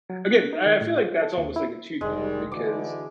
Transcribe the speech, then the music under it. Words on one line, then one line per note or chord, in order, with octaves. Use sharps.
Again, I I feel like that's almost like a cheat code because
F#3
F#6
D#4
D#3
A2
F4
A4
D#2
E4
F1 C#2 G#2 D#3 G3 G#3
D3 E3 A3 F#4 D6